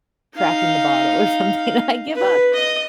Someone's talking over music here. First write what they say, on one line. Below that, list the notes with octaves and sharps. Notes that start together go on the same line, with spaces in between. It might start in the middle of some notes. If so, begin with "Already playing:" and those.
cracking the bottle or something, "I give up!"
D#4 F5
B4
D#5